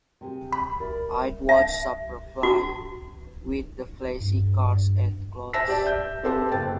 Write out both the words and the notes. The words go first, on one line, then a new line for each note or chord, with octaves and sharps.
I'd watch Superfly, with the flashy cars and clothes.
C3 C4 G#4
B5
A#4 D5 E5
E5
F#4
G2
C5 E5 A5 E6 A#6 B6
G4 D5 A5
E5 G6
C4 G4 A4 B4 C5
F#1 G5 A6